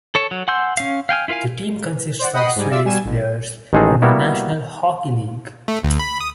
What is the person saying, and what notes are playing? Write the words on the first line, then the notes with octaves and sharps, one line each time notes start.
The team consists of Swedish players in the National Hockey League.
A4 C#5 A5
F#3
F#5 G#5 C6 E6 G6
C#4 F5
F5 G5 G#5 F6
E4 F4 A#4 F5 G#5
C5 D5 F#5
D#5 F#5 G5 B5 D#6 C7
G#2 G3 G#5
F4 D5 E5 E6
B2 G3 G#5 E7
A1
A1 D#3 G#3 D#4 G#4 A4
G3 A#3 B3 E4 F#4
A3
D2
B5
D#6